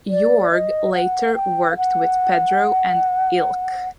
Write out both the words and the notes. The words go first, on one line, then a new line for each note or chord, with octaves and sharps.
Jorge later worked with Pedro at Elche.
D5
D#5
F#5
G5
F5
F#5